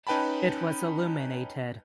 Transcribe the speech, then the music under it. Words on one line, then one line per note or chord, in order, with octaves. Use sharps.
It was illuminated.
C#4 D#4 B4 G5 A5 B5